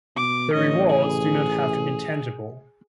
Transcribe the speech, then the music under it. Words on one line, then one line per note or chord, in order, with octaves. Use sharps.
The rewards do not have to be tangible.
B2 D6
A1 C#5 D#5
G#4